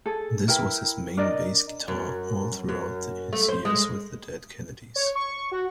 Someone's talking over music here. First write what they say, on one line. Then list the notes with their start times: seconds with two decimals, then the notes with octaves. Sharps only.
This was his main bass guitar all throughout his years with the Dead Kennedys.
0.06 G#4 A4
0.48 E4 A#4 B4 G5
1.17 D4 A#4 D5 D#5
1.88 F#2
2.69 F#2
3.33 A3
3.48 C5
3.65 G#3
4.96 C#5
5.15 C#6
5.51 F#4